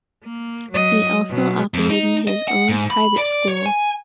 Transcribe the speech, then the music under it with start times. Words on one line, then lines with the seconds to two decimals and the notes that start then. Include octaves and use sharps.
He also operated his own private school.
0.24 A#3
0.72 F#3 D#5
1.30 B2 F#3
1.74 F2
1.90 D#4
2.27 D#5
2.48 F#5
2.69 G#2
2.91 B5
3.18 D5
3.48 C#5
3.66 G#5